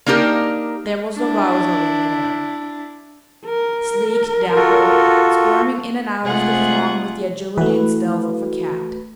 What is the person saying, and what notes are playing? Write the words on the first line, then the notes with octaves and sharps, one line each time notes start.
There was the Wowzer over there--sleek, dapper, squirming in and out of the throng with the agility and stealth of a cat.
A#3 D4 D#4 G4 A#4
D4 E4
A#4
F4 F#4 A4
C3 G#3 A3 F4 G#4 F#5
E3 A3 F#4 B4